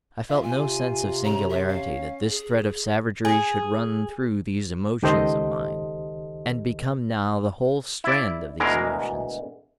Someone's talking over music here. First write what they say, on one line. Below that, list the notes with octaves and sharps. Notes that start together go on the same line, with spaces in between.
I felt no sense of singularity that this thread of savagery should run through these emotions of mine and become now the whole strand of these emotions.
F4 E5
C3 G#5
C#4 A#5
E5
F5
G#4
G#4
C#2 D#3 G4 A4 C5 D#5
E4 D5
D2 B2 E3 G#3 A#4